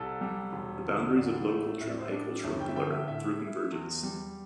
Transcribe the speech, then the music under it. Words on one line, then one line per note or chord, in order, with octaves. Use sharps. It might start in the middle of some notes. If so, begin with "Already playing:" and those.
The boundaries of low culture and high culture blur, through convergence.
Already playing: C2 A4
G3
E1
D3
A1 D5
A3
A2 E5
D5
C5
D4 D5
G1 E5
G5
E5
D3 G5
E5
A2 E5
E4
E2
G3